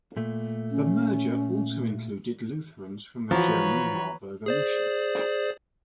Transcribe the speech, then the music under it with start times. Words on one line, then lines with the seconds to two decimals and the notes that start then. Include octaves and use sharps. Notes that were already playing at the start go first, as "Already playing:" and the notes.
The merger also included Lutherans from the German Marburger Mission.
0.17 A#2 A3
0.71 C#4
3.31 E3 F3 F#4 B4 C#5 A#5
4.46 G#4 C5 D5